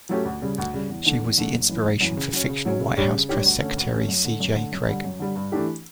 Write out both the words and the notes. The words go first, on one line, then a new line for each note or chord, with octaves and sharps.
She was the inspiration for fictional White House Press Secretary C. J. Cregg.
F#3 A3 C#4 G4
D2
C#3 G3
D2
C#3 G3
E2
D3 A3 D4
E2
D3 A3 D4
F#1
F#2 E3
F#1
F#2 E3
C#3
F#3 C#4
C#3
F#3 C#4
C#3
G3 D4 G4 C#5
C#3
G3 D4 G4 C#5
D2
D3 A3 C#4
D2
D3 A3 C#4
F#2
D3 A3
F#2
D3 A3
F#2
D3 G3
F#2
D3 G3
G2
E3 A3 D4 G4